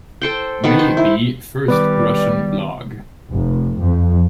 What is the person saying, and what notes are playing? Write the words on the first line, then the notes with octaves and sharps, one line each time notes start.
May be first Russian blog.
A4 C5 G5
D#3 B3 A4
C5
E4
D#3 G3 B3 B4 D5 D6
F1
F2